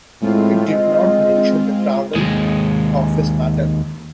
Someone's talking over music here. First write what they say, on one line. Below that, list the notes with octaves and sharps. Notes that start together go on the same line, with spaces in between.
It did not mention the travel office matter.
A2 G#3 C4 F4
D#5
D#2 G#3